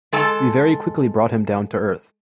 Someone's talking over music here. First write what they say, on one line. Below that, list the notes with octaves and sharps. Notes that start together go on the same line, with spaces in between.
We very quickly brought him down to earth.
G#3 A4 A5